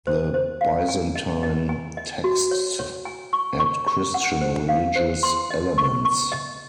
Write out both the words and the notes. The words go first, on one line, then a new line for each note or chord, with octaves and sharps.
The Byzantine texts add Christian religious elements.
C5
C5
F5
G#5
D#5
D#5
G#5
D#5
F#4
C#5
C#5
G#5
C#6
C#6
C#6
F#5
C5
F5
C5
C6
D#5
C#6
C#6
D#5